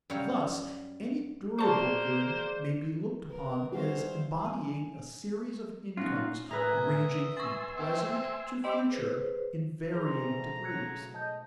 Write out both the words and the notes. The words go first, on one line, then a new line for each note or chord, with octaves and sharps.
Thus, any durable good may be looked upon as embodying a series of incomes ranging from present to future in varying degrees.
F#2 G3 C#5 F5
A#3 G#4 C5 D5 A5 C6 C#6
A#4 B4
G3 E4 F#4 G#4 C5 F5
G#5
C#4 D#4 F4 F#4
A2 A#4 B4 E5 G#5 D#6
G#5 C6 C#6 E6 A6
C4 E5
G4 C5 D#5 G5 B5 D6 E6
G#4 B4 C5
G2 A#2 E3 G#4 C5 A#5
B2 A3
C#3 F#3 F#6 G#6 C#7
G#2 D#5 A5 G6